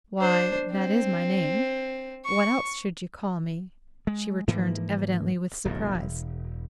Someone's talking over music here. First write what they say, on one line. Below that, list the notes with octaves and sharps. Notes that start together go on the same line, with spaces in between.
"Why, that is my name--what else should you call me?" she returned, evidently with surprise.
D4 C5
C4
C#6
G#3
G#2 E3 F3 A#3
D1 B1 G2
E1